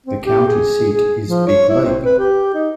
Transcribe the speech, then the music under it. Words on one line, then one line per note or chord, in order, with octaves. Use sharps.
The county seat is Big Lake.
C4
G4
G#4
G#4
F3
C#5
E4
C4
B4
G4
D#4